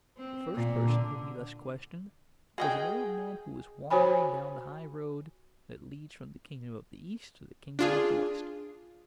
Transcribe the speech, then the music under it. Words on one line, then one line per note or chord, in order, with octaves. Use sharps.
The first person whom he thus questioned was an old man who was wandering down the high road that leads from the Kingdom of the East to the Kingdom of the West.
C4
A#2
D3
F#4 G#4 D#5 G5
F#4 C5 C#5 G#5 B5
D4 F4 G#4